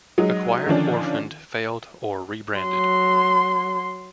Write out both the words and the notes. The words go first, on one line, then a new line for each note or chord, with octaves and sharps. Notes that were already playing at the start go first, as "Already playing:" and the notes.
Acquired, orphaned, failed or rebranded.
F#3 G#3 D#4
D3 D#3 F3 C#4 D4
F#3 C6